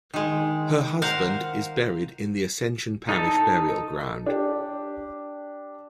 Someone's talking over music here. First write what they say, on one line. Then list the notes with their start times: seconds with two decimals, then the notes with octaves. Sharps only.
Her husband is buried in the Ascension Parish Burial Ground.
0.14 D#3 G#3
1.02 A#4 C5 F5 F#5
3.09 D#4 A4 A5
4.26 D4 G4